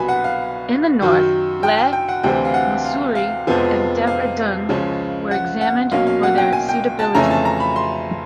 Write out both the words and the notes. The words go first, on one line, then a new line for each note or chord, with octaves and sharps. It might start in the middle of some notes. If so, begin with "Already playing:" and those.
In the north, Leh, Mussoorie and Dehra Dun were examined for their suitability.
Already playing: C2 B2 F#3 B3 G#5 B5
F#5
F5
F#2 D#3 F#3
G5
G#5
G5
F#5
D2 C3 E3 G3 C4 G5
F5
F#5
F5
F5
F2 C3 F3 G#3 B3
F5
C#2 C#3 F3 G#3 C#4
F#5
F#5
B1 B2 F#3 A#3 C#4 F5
F5
F#5
G5
G#5
G5
A5
F2 C#3 E3 A3 C#4 A#5
A5
A#5
B5
C6